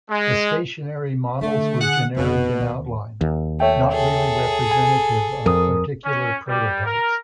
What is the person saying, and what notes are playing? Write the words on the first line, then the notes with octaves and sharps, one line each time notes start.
The stationary models were generic in outline, not really representative of particular prototypes.
G#3
D3 A3
G#4 F#5
F1 B2
D#2
D#2
A3 C#5 E5 G5
G#4 A4
G#5
F2 A#4 D#6
C#4
G3
A#4